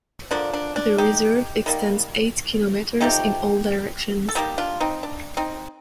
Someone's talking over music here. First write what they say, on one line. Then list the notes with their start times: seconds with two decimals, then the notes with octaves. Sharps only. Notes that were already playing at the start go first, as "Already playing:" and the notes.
The reserve extends eight kilometers in all directions.
0.31 D3 F3 A#3 D4
0.53 D4
0.76 D4
0.98 D#4 G4
1.66 D#3 G3 A#3
3.01 C3 F3 A3 D#4 G4
4.29 A4
4.35 D3 G3 A#3 D#4 G4
4.58 D4 F4
4.80 C4 D#4
5.03 D4
5.37 C4 D#4